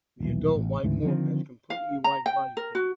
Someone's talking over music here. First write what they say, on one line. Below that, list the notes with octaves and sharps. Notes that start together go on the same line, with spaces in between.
The adult white morph has completely white body plumage.
D#1 B1 E3
A1
D2 G#2 C#3 E3
D3 D#3 F3 C4
F5
A#5
G5
A#4
F#4